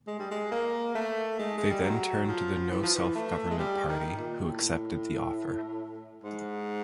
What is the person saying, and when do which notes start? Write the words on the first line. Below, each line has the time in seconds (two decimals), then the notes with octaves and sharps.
They then turned to the No Self-Government Party, who accepted the offer.
0.08 G#3
0.19 G3
0.31 G#3
0.52 A#3
0.95 A3
1.39 G#3
1.58 G#3
1.70 G3
1.83 F#3
2.28 F3
2.71 E3
2.83 F3
2.95 E3
3.15 A3
3.51 G#3
3.59 G3
3.89 D#3
4.18 A#2
4.47 A2
6.23 G#2